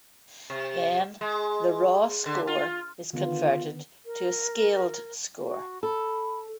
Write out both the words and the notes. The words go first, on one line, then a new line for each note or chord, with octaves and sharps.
Then, the raw score is converted to a scaled score.
C3
G#3
D3
F4
D3 D#3 B3 F4
A#4
F#4
A4 B5